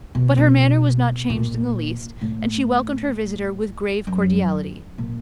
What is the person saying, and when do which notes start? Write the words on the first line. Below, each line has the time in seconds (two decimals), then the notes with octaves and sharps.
But her manner was not changed in the least, and she welcomed her visitor with grave cordiality.
0.15 B2
0.37 B2
1.30 A#2
2.21 A2
4.07 F#2
4.98 A#2